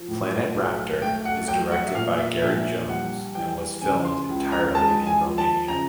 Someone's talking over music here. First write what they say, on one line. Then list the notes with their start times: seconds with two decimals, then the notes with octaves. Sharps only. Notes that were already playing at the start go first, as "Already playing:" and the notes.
"Planet Raptor" is directed by Gary Jones and was filmed entirely in Romania.
Already playing: F3
0.08 A2
0.55 B1
1.02 A3 G5
1.25 F#5
1.48 F#3 G5
1.72 F#5
1.87 E5
1.95 A#2 F5
2.19 E5
2.42 A#1 E5
2.65 E5
2.89 G3 F#5
3.35 E3 G5
3.82 C#3 G#5
4.05 C6
4.29 C#2
4.52 A#5
4.75 G#3 A5
5.07 G#5
5.22 F3
5.38 A5
5.68 C#3 A#5